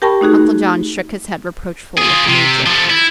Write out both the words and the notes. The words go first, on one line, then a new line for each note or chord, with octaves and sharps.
Uncle John shook his head, reproachfully, at the Major.
G4 A#4 G5 A5 B5 C#6
A3 D#4 F#4 G#4
F4 G#4
C3
F3 A3
E4